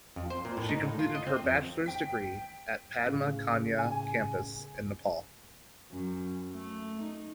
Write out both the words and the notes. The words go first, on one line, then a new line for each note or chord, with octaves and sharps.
She completed her bachelor's degree at Padma Kanya Campus in Nepal.
F2
C5
A#2
A2
D#4
A2
F4
D#5
C4
F2
G5 B6
A2 C#3
G#5
F#2
A3
D#4